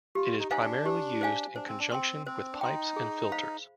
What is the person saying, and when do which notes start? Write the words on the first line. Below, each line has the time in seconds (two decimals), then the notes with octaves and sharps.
It is primarily used in conjunction with pipes and filters.
0.15 F4 G4
0.40 D#4
0.51 D#4 C5 F5 G#5
0.62 D4
0.86 G4
1.21 C5 F5 G#5
1.56 D4 C5
1.68 C4
1.79 D4
1.91 C4 G5 C6
2.27 C4 C5
2.53 D4
2.61 D#4 G5 C6
2.96 G#4
3.32 C5 F5 B5